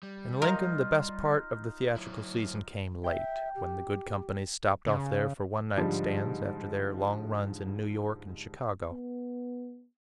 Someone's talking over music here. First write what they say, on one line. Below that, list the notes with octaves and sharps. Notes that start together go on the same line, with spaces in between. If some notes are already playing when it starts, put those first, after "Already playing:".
IN Lincoln the best part of the theatrical season came late, when the good companies stopped off there for one-night stands, after their long runs in New York and Chicago.
G3
D#4 F4 A#4
F#3 E4
E5 G5
G4
C#3
G#2 D3 F3 G3
B3